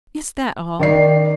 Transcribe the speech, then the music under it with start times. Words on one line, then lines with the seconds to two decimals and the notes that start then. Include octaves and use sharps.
"Is that all!"
0.79 D#3 D5 C7